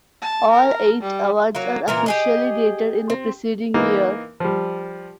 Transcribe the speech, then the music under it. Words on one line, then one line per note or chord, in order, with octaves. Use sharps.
All eight awards are officially dated in the preceding year.
A5
A#4
G3
F#3 A#3
A#2 E3 A#4
G4 G#4 D#5
C4
E3 A#3 D#4
F3 G3